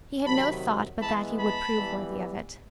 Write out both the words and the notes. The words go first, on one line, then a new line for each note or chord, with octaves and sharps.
He had no thought but that he would prove worthy of it.
C3 D#3 F#3 A5 B5
E3 G#3 B3 A5 B5
A5 B5
E3 G3 B3